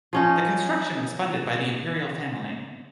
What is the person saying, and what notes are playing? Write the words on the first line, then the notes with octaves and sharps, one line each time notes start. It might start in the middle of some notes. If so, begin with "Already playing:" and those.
The construction was funded by the imperial family.
F3 C#4 D#4